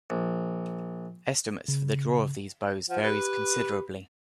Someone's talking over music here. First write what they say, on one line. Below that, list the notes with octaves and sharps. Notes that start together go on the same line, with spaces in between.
Estimates for the draw of these bows varies considerably.
A#1
C#3
F3 F#5
G4 B4